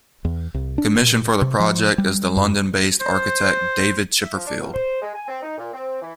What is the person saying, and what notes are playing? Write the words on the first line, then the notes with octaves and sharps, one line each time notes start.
Commissioned for the project is the London-based architect David Chipperfield.
E2
C2
D4
A#2
C3
F3
G3
F#2
C5
E5
F3
D4
C#2
C5
G#3
G#5
C4
D#4
A#2
C4
E3